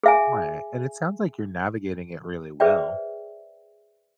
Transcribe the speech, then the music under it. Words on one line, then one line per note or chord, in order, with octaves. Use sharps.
Right, and it sounds like you're navigating it really well.
G#4 E5 G#5
G#4 B4 C5 D5 E5 G5